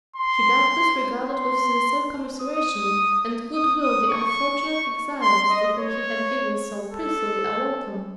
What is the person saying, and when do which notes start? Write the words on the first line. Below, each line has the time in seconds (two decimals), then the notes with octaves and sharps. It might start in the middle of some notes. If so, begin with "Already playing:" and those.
He doubtless regarded with sincere commiseration and good will the unfortunate exiles to whom he had given so princely a welcome.
0.16 C6
1.29 C6
2.42 D#6
3.54 D#6
3.81 D#6
4.10 C#6
5.22 C6
5.50 D#5
5.78 C#5
6.91 A4